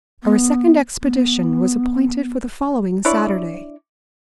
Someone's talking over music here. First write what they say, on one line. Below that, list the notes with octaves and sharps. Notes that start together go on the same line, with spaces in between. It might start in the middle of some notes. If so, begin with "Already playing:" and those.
Our second expedition was appointed for the following Saturday.
B3
B3
D4 E4 C#5 D5